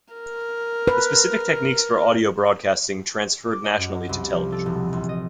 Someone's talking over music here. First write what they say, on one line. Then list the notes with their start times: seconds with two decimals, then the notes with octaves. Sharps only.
The specific techniques for audio broadcasting transferred naturally to television.
0.14 A#4
0.87 B4
3.51 D6
3.64 D#5
3.77 F#2
4.09 C2
4.34 F3
4.52 A4
4.66 E1
4.93 A#1
5.09 D#5